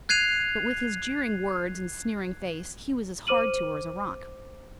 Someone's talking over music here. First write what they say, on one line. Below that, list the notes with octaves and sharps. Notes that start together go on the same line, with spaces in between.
But with his jeering words, and sneering face, he was as hard to her as a rock.
F#6 G#6 C7 D#7 F7
C5 D6 F6 D#7 F#7